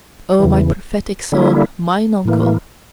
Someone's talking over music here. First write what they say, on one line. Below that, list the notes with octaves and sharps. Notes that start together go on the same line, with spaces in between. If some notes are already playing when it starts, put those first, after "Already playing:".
"Oh, my prophetic soul, mine uncle."
E2 C#3 E3
D3 G3 A#3 E4
A2 E3 A#3